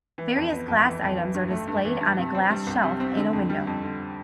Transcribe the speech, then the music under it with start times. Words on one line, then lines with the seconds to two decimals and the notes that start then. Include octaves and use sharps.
Various glass items are displayed on a glass shelf in a window.
0.18 E3
0.36 F2
0.52 B3
0.68 F2
0.85 E3
1.02 F2
1.17 E3
1.34 G2
1.51 A3
1.67 G2
1.85 E3
2.01 G2
2.18 C3
2.35 C4
2.50 G3
2.67 C2
2.83 C3
3.00 C4
3.17 D3
3.33 F2
3.49 G3
3.67 F2
3.83 D3